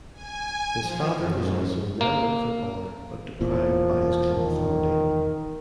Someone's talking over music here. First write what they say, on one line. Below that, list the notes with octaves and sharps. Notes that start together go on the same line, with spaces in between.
His father was also an eminent footballer but deprived by his club authority.
G#5
F3
F#2
A#3
E1 E2 A#2 F3
D#3